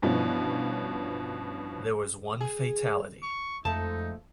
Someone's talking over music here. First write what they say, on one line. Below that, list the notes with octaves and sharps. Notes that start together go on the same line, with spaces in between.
There was one fatality.
G2 B2 E3 F3 C#4
G#4
C#6
F2 F3 G#3 A3 D#4 A5